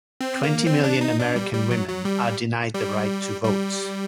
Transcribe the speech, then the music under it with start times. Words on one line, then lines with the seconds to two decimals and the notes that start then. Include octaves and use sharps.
Twenty million American Women are denied the right to vote.
0.21 C4
0.43 A#3
0.66 C4
0.84 D4
1.01 D#4
1.19 D4
1.36 G3
1.53 G3
1.71 F#3
1.88 F#3
2.05 G3
2.74 G3
3.44 G3